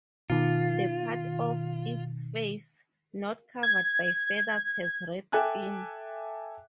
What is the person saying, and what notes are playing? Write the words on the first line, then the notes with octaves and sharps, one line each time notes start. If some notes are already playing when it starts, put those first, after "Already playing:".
The part of its face not covered by feathers has red skin.
B2 D#3 F4
G#6
A4 E5 G5 G#5 D6 F#6